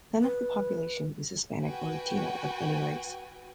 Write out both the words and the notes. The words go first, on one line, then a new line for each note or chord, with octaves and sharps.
None of the population is Hispanic or Latino of any race.
B4
F#4 B4 G5 G#5